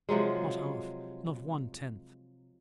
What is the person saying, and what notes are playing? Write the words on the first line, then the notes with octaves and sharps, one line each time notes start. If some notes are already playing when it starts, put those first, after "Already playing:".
Not half--not one-tenth.
C3 F3 F#3 G#3